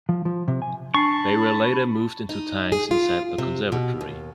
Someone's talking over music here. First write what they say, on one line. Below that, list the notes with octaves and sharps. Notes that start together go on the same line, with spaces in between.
They were later moved into tanks inside the conservatory.
F3
F3
C3
G#5
D4 G#5 A5 B5 C#6 C7
D#4
G#4
F4
C3
B2
D#2